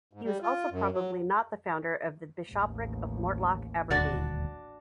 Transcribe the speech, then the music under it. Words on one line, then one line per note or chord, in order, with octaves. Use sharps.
He was also probably not the founder of the Bishopric of Mortlach-Aberdeen.
G#2
G3
F4
F#2
F#3
A1 D#2
D#1 D2 D4 F#4 D5